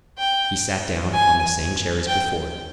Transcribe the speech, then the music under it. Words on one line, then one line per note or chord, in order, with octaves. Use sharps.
He sat down on the same chair as before.
G5
G#5
G5